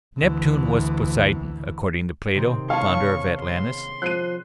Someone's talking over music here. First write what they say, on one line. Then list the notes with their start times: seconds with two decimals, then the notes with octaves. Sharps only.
Neptune was Poseidon, according to Plato, founder of Atlantis.
0.18 D2 E3
2.35 C3 D#3 C4
2.70 B3 C#4 G#4 F5 A5 C#6
3.39 C6
4.02 F3 F#6 C7 D#7